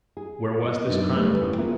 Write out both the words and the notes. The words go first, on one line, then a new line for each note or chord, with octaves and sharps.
Where was this Crime Club?
G#4
B3 D#5
F#2 D#3 B3 D4 D#4
D#2 C#3 G3 A3 B4
A2 C#3 C#4
A#3 B3 F4 G#4 E5